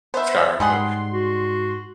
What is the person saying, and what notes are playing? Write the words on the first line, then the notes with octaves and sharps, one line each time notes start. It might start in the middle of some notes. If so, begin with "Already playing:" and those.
Skyrim, but,
B3 C5 E5
G#2 G3 G#4 F#5 C6
F#4